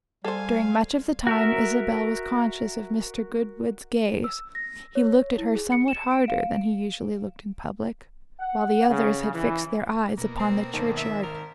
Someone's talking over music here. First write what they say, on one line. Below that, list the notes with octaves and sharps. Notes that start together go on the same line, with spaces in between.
During much of the time Isabel was conscious of Mr. Goodwood's gaze; he looked at her somewhat harder than he usually looked in public, while the others had fixed their eyes upon the churchyard turf.
G3 A4 C5 F5 G#5
F#4 A#4 E5
E6
A#6
C#5
E4
G#4
C#7
E7
D7
F5
F#5
C#3
E3
B2 A#3
C4
G#1 D#3 C4 A5
E5
A#4